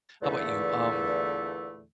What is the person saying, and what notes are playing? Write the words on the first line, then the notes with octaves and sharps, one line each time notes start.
how 'bout you, um,
E2 A#2 D3 E3 A3